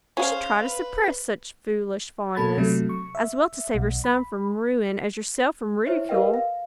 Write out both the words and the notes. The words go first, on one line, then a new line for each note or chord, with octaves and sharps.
'You should try to suppress such foolish fondness, as well to save your son from ruin as yourself from ridicule.'
C#4 G#4 C5 F5
B4
B2 A#3 A4 B5 G#6 A6
C3 F#3 A3
C#6
E5
B1
B5
E4 C5 C#5 E5
G4 A#4 B4 D#5 F5 G5
F5